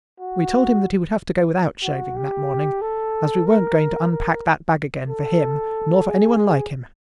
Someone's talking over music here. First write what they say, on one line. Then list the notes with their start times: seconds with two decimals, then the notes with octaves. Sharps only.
We told him that he would have to go without shaving that morning, as we weren't going to unpack that bag again for him, nor for anyone like him.
0.20 F#4
1.83 F#4
2.16 G4
2.82 A4
3.46 A#4
4.11 A#4
5.09 A4
6.07 G#4